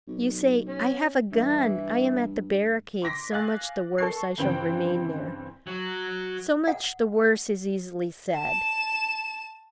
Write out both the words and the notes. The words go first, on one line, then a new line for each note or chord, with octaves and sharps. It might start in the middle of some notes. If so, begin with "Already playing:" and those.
You say: 'I have a gun, I am at the barricade; so much the worse, I shall remain there.' So much the worse is easily said.
B1
C#4
G2 E3
C6 D6 A#6 B6
F5 G#5 F#6 A6
A4 C#6 C7
G2 C#3 E3 C4 G5
F#3 F#4
F#5
A5 E7